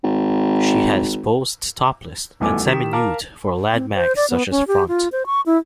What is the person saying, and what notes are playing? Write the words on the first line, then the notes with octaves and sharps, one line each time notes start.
She has posed topless and semi-nude for lad mags such as "Front".
G#1
D#1 B1 E2 A3 G#5 D6
D#3 D#4 G4 B6 E7
A#4 F5 A5 D6
C4
C5
D5
B3
C#4
G4
F4
C5
C#6
E4